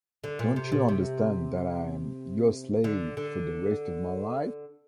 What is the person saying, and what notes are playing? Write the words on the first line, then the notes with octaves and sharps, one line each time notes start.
Don’t you understand that I’m your slave for the rest of my life?
D3
A#2
C3
A#2
C3
D3
D3